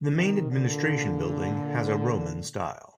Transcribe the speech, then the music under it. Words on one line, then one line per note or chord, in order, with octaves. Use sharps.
The main administration building has a Roman style.
C3 D#3
A#2 D3